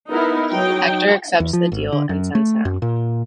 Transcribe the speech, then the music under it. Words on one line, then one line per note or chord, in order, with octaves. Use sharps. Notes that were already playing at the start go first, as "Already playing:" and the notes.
Hector accepts the deal and sends him out.
B3 D#4 E4 A#4
F#3 D#4 G5
E2
F3
G#1
D3
F#2
A3
F#2
A#2